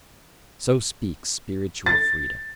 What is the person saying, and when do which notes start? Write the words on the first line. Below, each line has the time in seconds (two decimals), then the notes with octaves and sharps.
So speaks "spiritual freedom."
1.86 A6